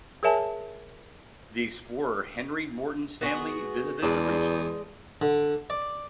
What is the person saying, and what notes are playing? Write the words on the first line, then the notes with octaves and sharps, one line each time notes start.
The explorer Henry Morton Stanley visited the region.
G#4 A#4 C#5 E5 G#5 A5
B3 F#4 G#4
E2 G#3 D5 A5
D3
D5